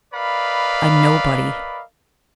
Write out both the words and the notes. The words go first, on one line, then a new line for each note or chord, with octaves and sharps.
I'm nobody.
A#4 B4 D5 D#5 F5 B5